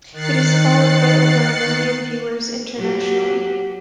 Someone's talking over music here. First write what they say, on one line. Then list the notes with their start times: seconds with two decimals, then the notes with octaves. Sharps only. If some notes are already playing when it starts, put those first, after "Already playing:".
It is followed by over a million viewers internationally.
0.12 D#3 F#6 A6 C7 C#7
2.76 F#3 G4